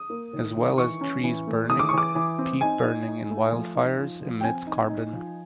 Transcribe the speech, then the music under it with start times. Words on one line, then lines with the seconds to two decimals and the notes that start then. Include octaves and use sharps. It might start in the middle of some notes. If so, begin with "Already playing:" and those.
As well as trees burning peat burning in wildfires emits carbon.
Already playing: D#6
0.10 A#3
0.33 D#3
0.55 D#3
0.78 E3 C#6
1.01 C#4
1.24 E3
1.47 A3
1.69 E3 D#6
1.79 D6
1.89 C#6
1.93 E3 D6
2.15 E3
2.39 C4
2.61 D#4 G#5
2.84 D#4
3.07 D#4
3.30 A3
3.52 F3
3.75 D#4
3.98 F3
4.21 F3
4.41 G5
4.44 C4 G#5
4.67 D#4
4.90 D#4
5.13 F3